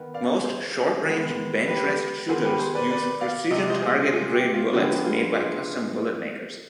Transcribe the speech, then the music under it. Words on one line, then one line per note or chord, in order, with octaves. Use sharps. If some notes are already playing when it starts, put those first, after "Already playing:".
Most short-range benchrest shooters use precision target grade bullets made by custom bullet makers.
Already playing: D#3 B3
D5 F5
G#4 C5
D#3 G#3 B3
G4 B4
D#3 B3 G#4 C5
G4 B4
G#4 C5
B4 D5
B4 D5
D5 F5
C3 F3 G#3 D#5
D5
C5 D#5
G#4 C5
F4 G#4
G4
F4
D3 F3 B3 G4
G#4
G4
F4 G#4
F4 G#4